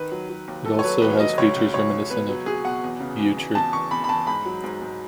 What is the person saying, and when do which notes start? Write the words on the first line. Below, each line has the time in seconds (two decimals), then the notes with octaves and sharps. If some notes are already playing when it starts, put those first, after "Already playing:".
It also has features reminiscent of Euchre.
Already playing: D#3 B4
0.12 F#3
0.29 F#3
0.48 D#2
0.66 D#2 A4
0.79 C#5
0.84 F#3 B4
1.01 D#2 B4
1.20 F#3 D#5
1.38 C#2 C#5
1.56 C#2
1.74 C#2 C#5
1.92 C#2
2.10 B2 B4
2.29 F#3
2.46 F#3 G#4
2.65 B2 F#5
2.83 E2
3.00 C#3
3.19 E2
3.37 E2
3.55 E2 A5
3.73 E2 C#6
3.91 E2 B5
4.04 B5
4.09 E2 A5
4.27 G#2 B5
4.46 F#3
4.64 G#2
4.82 G#2